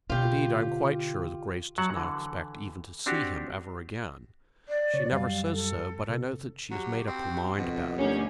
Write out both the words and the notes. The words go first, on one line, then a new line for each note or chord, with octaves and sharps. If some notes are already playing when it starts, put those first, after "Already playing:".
Indeed I am quite sure that Grace does not expect even to see him ever again. She never says so, but I know that she has made up her mind about it.
B2 D3 F4 G4
F#3 F#5 A5
D3 E3
C4 D4 F#4 G4
D5
C#3 C#5
F#2 G3 F5
A4
C3
F#3 F#4 G4
C4
F2 B2
D2 C#4 G4 A#4 C#5